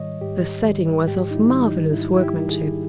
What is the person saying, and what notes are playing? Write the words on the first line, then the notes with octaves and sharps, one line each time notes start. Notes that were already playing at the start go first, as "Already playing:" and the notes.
The setting was of marvelous workmanship.
Already playing: G#2 D#3 G3 C#5 D#5
G#2 G4
D#3 G3
G#2 G4
D#4
E4
D#3 G3
D#4
G#2 E4
E4
G4
D#3 G3
G#4